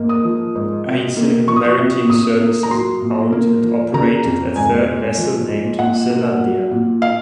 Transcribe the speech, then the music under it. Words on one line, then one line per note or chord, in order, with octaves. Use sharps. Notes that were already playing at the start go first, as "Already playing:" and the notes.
Eitzen Maritime Services owned and operated a third vessel named "Selandia".
Already playing: G#2 A#3
D#6
F3
G#2
C3
A#3
F3 C#6
D#6
C#6
C3
A#2 D#6
A#3
A#5
F#3 C6
A#2
A#3
F3
C#3 A#5
F2
G#2 G#5
G#3
F3
G#2
A#2 F#5
A#3
F#3
A#2
F5